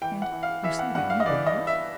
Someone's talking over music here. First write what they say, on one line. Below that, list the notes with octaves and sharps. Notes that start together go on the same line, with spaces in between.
"And--you say that you were not?"
E3 G5
F#5
E3
F5
E3 E5
F#5
G2 F#5
F5
D#5
E3 D5
D#5
E3
E5